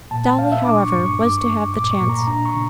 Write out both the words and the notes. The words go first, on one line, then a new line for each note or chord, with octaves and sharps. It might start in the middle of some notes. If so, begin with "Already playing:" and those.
Dolly, however, was to have the chance.
Already playing: C#2
A#2 A5
A5
A#2 F5
E5
D4 D6
C#6
G2 C#6
C#6
G2 D6
C#6
G2
A#2 D6
C#6
A#2
A#5
D4 A#5
C#6
C#3